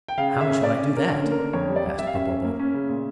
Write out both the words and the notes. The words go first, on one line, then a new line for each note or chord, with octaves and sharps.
"How shall I do that?" asked Popopo.
G5
C#3 F5
C#3
E5
C#4
C#4 D5
C#4
C#4 A#4
D3 C#5
A#3
A#4
D3
F2 C#5
G3
D5
G3
G3 E5
F5
C#4 E5
C#4
A#3
C#4
C#3
A#2